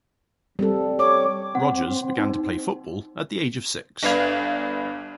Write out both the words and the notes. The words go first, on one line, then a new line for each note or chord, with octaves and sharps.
Rogers began to play football at the age of six.
G3 C4 A4
C#5 D6
C4 F#5
D#4
G1 D4 B4 F5 G#6 F7